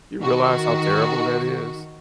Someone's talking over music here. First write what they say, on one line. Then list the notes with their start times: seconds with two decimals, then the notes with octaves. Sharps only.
You realize how terrible that is?
0.19 D#3 F#4